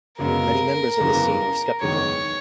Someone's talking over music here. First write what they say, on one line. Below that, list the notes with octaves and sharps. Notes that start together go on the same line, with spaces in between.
Many members of the scene were skeptical.
F#1 F#2 C#3 G#3 B3 A#4
F#1 E2 C#3 E3
F#1 E2 D#3 G#3 C#5